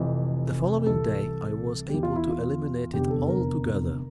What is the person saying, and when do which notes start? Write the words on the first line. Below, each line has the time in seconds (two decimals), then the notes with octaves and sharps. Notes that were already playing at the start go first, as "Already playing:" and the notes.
The following day I was able to eliminate it altogether.
Already playing: F1 F2 E3
0.86 C2 C3 E3 A4
1.89 E2 E3 G4
2.03 F4
2.16 E4
2.29 F4
2.93 F1 E2 D3 G4
3.10 A4
3.28 A#4